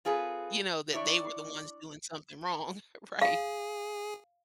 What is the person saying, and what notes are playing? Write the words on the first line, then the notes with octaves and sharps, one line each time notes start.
You know, that they were the ones doing something wrong, right?
C4 F4 G#4 A4 B4
D4 E4 C#5 D5
G#4 F5